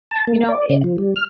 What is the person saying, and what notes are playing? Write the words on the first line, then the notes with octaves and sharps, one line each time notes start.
you know, i
A5
A#3
D5
C#3
F3
G3
F6